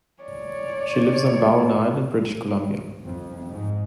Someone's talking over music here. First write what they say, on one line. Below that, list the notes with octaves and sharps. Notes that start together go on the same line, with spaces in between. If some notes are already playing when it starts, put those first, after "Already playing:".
She lives on Bowen Island, British Columbia.
C#5 D5
F2
G#2